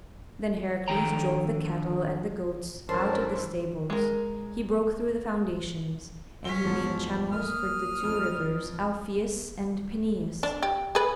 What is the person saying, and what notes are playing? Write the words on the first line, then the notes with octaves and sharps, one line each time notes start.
Then Heracles drove the cattle and the goats out of the stables; he broke through the foundations and he made channels for the two rivers Alpheus and Peneius.
D3 D#3 F3 A4 G5 A#5
G2 E3 C#4 A#4 C5 A5
G#3 A#4
C#4 B6 G7
E2 G#2 F3
A#3 D#6 F6
F2
D4
G4
G#4 B4